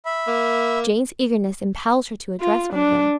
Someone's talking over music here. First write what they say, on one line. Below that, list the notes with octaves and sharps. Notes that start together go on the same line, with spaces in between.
Jane's eagerness impelled her to address one of them.
E5 B5
A#3
F4
D4